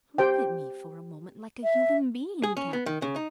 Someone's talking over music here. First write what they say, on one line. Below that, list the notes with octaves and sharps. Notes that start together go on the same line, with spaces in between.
Look at me for a moment like a human being, can't you?
G4 C5 G5
E5
G#4
C#4
B3
D#3
C#3
D#4